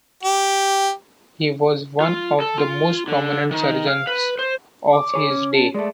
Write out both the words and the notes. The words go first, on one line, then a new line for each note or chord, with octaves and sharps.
He was one of the most prominent surgeons of his day.
G4
F4
A4
F4
D3
D#3
F5
B4
C5
D6
G#4 C#5
C#4
A5
G#3 A3 D5